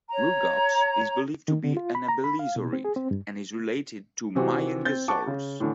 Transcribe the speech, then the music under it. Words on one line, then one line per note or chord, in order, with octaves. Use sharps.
"Rugops" is believed to be an abelisaurid, and is related to "Majungasaurus".
C#5 A#5
D#3
D3
F4
B5
A#5
B5
F5
B2
C4
G#4
C4
G2
C3 E3 C4 F#4 G4
C4 G6 A6
F#5 A5 C#6 D6
C#3
A2 D3 E3